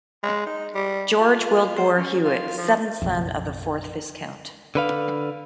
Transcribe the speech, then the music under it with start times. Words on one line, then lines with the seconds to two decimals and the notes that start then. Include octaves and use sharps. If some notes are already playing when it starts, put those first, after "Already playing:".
George Wyldbore Hewitt, seventh son of the fourth Viscount.
0.23 G#3
0.46 D#4
0.75 G3
1.20 F4
1.77 C5
1.97 C#4
2.24 F4
2.58 F3
3.02 F#1 B1 F2
4.75 D3 B4 F5